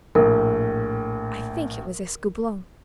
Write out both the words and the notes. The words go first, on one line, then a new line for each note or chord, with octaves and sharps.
I think it was Escoublon.
A#1 A2 A#4